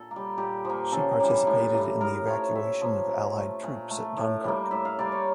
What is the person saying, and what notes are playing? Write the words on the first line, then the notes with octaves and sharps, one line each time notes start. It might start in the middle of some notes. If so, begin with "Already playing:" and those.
She participated in the evacuation of Allied troops at Dunkirk.
Already playing: A#2 A4
A#3
G3
A#2 G4
F3 A#3
C#3 A4
E3 G3 A#3
A2
G3 A#3
A2 A#4
F3 A3 C#5
A#2 E5
F3 A#3
A#2
A3
A#2
A3
A2
G3 A#3
A2 E5
F5
G3 A#3 D5
C#5